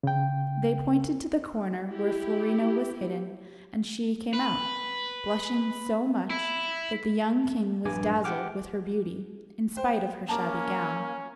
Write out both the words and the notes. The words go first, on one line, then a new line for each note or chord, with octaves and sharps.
They pointed to the corner where Florina was hidden, and she came out, blushing so much, that the young king was dazzled with her beauty, in spite of her shabby gown.
C#3 G5
E4 G4
B4
E4
A#1 G2 G#5 D6
G4 F#5 G5 D6 F6
C5 G5
A#3 C#4 A5 A#5 D6